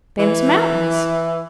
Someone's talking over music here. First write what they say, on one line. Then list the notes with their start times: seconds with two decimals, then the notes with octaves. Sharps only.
"Them's mountains."
0.19 E3